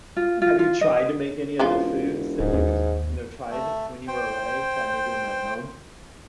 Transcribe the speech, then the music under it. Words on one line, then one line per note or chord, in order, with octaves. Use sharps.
Have you tried to make any of the foods that you've t you know, tried when you were away, tried making 'em at home?
F4
F4
F4
D#5
E1 C#3 F3 F4
D1 G#2
D#2
A3
C5 G5